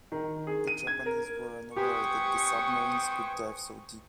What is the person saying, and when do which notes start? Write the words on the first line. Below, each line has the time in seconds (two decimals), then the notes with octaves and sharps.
The Japanese were unaware that the submarines could dive so deep.
0.12 D#3
0.47 G#4
0.67 D#7
0.87 G#6
1.06 A#4
1.76 G4 B4 C5 G5 G#5 C#6 D#6